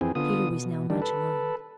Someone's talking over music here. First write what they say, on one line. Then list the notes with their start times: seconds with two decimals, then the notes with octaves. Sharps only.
Peter was now much alarmed.
0.01 F2 E3 C4 G#4
0.15 D3 B3 F4 D#6
0.49 B2
0.90 D#3 G3 D4
1.02 A4 B4